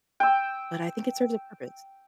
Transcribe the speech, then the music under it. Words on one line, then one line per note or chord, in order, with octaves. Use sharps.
but I think it serves a purpose.
G5 E6